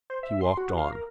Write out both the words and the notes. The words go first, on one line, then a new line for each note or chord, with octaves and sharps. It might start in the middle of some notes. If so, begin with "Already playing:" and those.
He walked on.
C5
E5
C6
F#4
F5
A#4